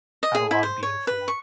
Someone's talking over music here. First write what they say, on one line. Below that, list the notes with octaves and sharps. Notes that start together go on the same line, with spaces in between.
had a lotta beautiful
D#5
G#4
E4
C5
C#5
B4
C#6